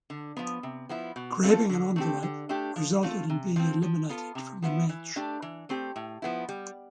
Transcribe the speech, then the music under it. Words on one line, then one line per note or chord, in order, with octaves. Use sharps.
Grabbing an envelope resulted in being eliminated from the match.
D3
F3 B3
C3
F3 B3 E4
B2
A3 C4 F4 A4
D3
A3 C4 G4
D3
A3 D4 G4
F3
A3 C4 F4
C3
F3 C4
F3
B3 F4 A4
C3
F3 B3 E4
E3
A3 D4 G4
E3
A3 C4 G4
A2
F3 B3 E4
G3